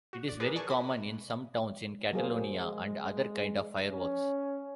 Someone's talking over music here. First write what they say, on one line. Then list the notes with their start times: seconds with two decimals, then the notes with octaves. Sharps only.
It is very common in some towns in Catalonia and other kind of fireworks.
0.13 F#4
0.28 D5
0.40 G#4 A#4 B4 D5
0.56 D5 G#5 A5 C#6
0.68 F#4 B5
2.13 F#3 A#3 G#4 C5
2.58 G#3
3.91 C#4